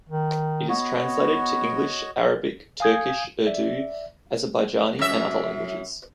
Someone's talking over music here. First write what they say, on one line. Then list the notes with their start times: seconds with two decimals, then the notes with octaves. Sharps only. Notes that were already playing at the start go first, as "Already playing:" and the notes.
It is translated to English, Arabic, Turkish, Urdu, Azerbaijani and other languages.
0.09 D#3
0.69 B3 F#4 C#5 D#5
2.80 F5 G#5 D#6 G6 G#6
3.47 D5 E5
4.99 F#2 E5